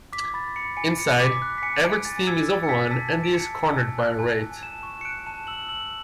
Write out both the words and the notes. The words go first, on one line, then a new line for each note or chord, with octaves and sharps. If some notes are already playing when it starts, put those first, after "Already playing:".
Inside, Everett's team is overrun and he is cornered by a Wraith.
D6 B6
B5 A6
B5 C#7
G#5 C#7
G#5 C#7
D6 B6
F#6
B6
G#5 C#7
G#5 D7
G#5 A6
E6 G#6
E6 A6
C#7
G#5 B6
A5 B6
A5
D7
A5 C#7
E6
G#5
F#6
G#5
G#5
A5 E7
C#6 E7
C#7
F#6 D7
A5 E7
E6 F#7
E6 F#7